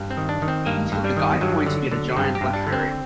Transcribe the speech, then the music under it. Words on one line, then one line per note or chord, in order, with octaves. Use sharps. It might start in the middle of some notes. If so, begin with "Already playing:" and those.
A guy pointing at a giant Blackberry.
Already playing: G2
C4
D#3
D4
D#3
C4
G2 A#3
G2
G3
D#3
G2 F#3
D3
D3
G2 C4
G4
G2
D4
D3
C4